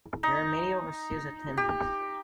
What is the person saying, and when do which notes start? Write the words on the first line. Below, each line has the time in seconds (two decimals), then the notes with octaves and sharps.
There are many overseas attendees.
0.23 D#4
1.57 G4